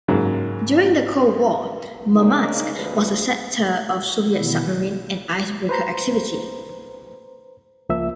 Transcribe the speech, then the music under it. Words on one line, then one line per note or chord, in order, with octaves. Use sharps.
During the Cold War Murmansk was a center of Soviet submarine and icebreaker activity.
G#2 C#3 F#3 A#3
C#3 A#3 D4 D#4
D2 F3 A#3 G#4 B4
B2 D#3 E3 B3 E4
G3
B4 C5 A#5
C#2 F3 A#3 E5 E6